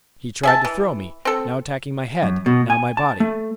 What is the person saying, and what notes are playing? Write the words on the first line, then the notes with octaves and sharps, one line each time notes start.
He tried to throw me, now attacking my head, now my body.
G#4 E5 A5
E3
C4 A4
F#2
B2
G#5
A5
A3